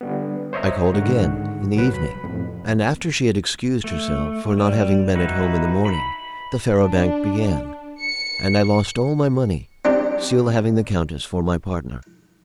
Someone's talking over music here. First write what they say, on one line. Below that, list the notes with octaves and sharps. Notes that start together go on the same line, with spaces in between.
I called again in the evening, and, after she had excused herself for not having been at home in the morning, the faro bank began, and I lost all my money, still having the countess for my partner.
D3 G3 B3
C5 C#5 D#5 E5 A#5
G#2 D3 D#3 F#5 C#6
C2 F#3 B4
B5
F2 A2
A3
G3
D#4 E4 F#4 B4
B5
D4
C#7
C4 D4 G4